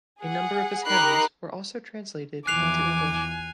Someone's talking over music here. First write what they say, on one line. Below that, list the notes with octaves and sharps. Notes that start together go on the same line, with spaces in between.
A number of his hymns were also translated into English.
G#4 F#5
D#4 G4 A#4 B5 F#6 C7
E2 E3 F3 G#5 D6 F#6 C7 F7